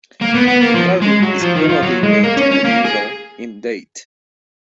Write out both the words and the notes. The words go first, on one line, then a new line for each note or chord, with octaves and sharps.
The carving is probably late medieval in date.
A#3
B3
B3
A#3
F3
G#3
F#3
F3
D#3
F3
F#3
G#3
A#3
C#4
C#4
A#3
G#4